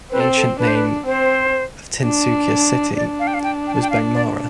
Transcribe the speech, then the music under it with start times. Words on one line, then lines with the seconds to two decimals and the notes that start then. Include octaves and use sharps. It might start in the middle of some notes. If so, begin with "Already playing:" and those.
The ancient name of Tinsukia city was Bengmara.
0.11 C4 B4
0.20 A4
0.36 A4
0.59 D4 B4
0.68 C5
0.75 B4
1.06 C4 C5
2.02 D4
2.96 D4 D5
3.19 F5
3.27 G5
3.34 F5
3.43 G5
3.67 G5
3.75 A5
3.82 G5
3.91 F5
4.14 D5